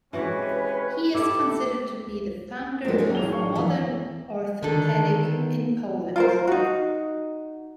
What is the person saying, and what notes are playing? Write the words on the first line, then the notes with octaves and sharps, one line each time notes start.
He is considered to be the founder of modern orthopedic in Poland.
E3 G#3 C4 C#4 F#4 G4 B4
E4 G4 A4 E5 D6
F#3 G#3 A#3 D4 F4
C#4 D#4 G#4
A1 F7 G7
D4 F5 C#6
E3
D3 D#3 A4
B3
F4 A#4 C5
D#4 F#4